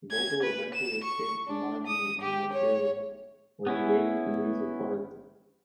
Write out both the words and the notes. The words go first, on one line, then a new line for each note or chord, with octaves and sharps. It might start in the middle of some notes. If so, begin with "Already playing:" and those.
Vogel eventually escaped to Marghi in Nigeria where he waited for news of Barth.
G#6
B4
E7
C#6
D4
D#6
G4
C#5
B3 C#4 E4